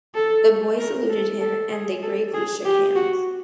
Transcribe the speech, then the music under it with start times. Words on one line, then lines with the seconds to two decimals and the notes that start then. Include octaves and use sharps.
The boy saluted him, and they gravely shook hands.
0.15 A4
0.78 A#4
1.09 A4
1.40 A4
1.71 G#4
2.02 A4
2.33 G#4
2.65 G4
2.95 F#4